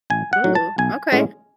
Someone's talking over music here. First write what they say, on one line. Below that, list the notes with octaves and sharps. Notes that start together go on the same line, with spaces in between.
Ooh, okay.
A1 G#5
F#5
A2 F#3
A5
B1 G#5
A2 G#3 C#4